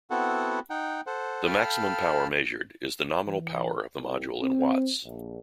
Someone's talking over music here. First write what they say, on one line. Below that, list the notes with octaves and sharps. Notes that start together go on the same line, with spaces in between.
The maximum power measured is the nominal power of the module in Watts.
B3 C4 E4 F#4 A4 F#5
D#4 F#5 G5
A4 C5 F#5
A4 F5 G5 A5 B5 F6
E3
C2
C4
A#1